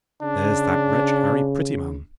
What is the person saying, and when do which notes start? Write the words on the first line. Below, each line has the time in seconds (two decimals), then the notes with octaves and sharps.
There's that wretch Harry Prettyman.
0.23 C#3 D4